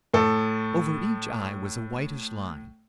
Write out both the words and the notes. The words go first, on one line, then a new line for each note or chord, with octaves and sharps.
Over each eye was a whitish line.
A2 A4